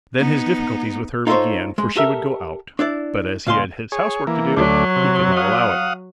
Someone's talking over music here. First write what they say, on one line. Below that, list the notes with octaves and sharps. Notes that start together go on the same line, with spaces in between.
Then his difficulties with her began for she would go out, but as he had his housework to do, he could not allow it.
B3 D#4
D#4 F4 A4 A#4 C5 C#5
G#3
G4 A4 A#4 E5
D4 E4 D5
C#2 A#2 F5 G#5 C6
G#4 C#5
E3 A#3
D2 F#3 A3 D5
C3
F5 F#5 D#6